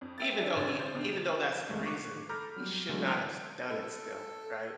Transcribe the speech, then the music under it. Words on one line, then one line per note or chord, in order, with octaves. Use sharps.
Even though he even though that's the reason he should not have s done it still, right?
F2
E5 G5 A6
D4
A1 D3 C#5 A6
C5
B2 D3 D#3
F2 D#3 G#3 A3
C#6 D6 F#6 B6 C7
A4 A#5 B5 D6 F6 G6
F#3 G3
D3 E3 F#3 G#3 A3
A5 C6 D#6 F6 F#6 G#6
A4